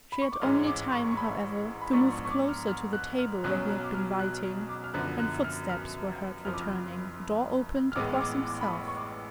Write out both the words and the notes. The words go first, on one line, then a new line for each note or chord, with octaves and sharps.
She had only time, however, to move closer to the table where he had been writing, when footsteps were heard returning; the door opened, it was himself.
B5
C#6
D6
A1 G#2 G#3 C#4 F6
D6
C#6
C#6
B5
B5
G#2 F3 B3 D4 C#6
C#6
C#6
D6
F6
F6
F#6
F6
B1 B2 F#3 C#4 F#6
F#6
D6
F6
F#6
F6
D6
F6
F#2 D3 F3 B3 F#6
F#6
F6
F6
F#1 F2 F3 F6
D6
F6
F6
A1 A2 G#3 B3 D6
F6
D6
D6
B5
C#6
C#6
D6